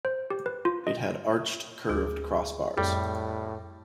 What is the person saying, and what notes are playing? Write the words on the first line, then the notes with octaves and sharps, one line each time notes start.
It had arched, curved crossbars.
C5
G4
B4
F4
D#5
D2 G#4
F2 A2 G3